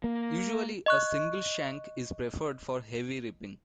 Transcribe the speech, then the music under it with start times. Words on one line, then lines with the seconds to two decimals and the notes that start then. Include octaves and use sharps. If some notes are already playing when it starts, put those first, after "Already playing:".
Usually, a single shank is preferred for heavy ripping.
0.04 A#3
0.86 D#5 C#6 F#6